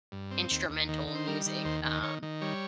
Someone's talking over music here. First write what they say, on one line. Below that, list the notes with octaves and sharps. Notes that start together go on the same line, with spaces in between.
instrumental music, um,
G2
C4
D#2
D#2
D#3
D#3
C5
G3 A#4
D#3
D#2 C5
D#3
D#3 C#5
D#3
G3 C#5